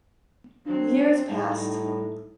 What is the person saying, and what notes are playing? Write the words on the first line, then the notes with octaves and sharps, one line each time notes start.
Years passed.
F#3 C4 D4
A2 G3 D#4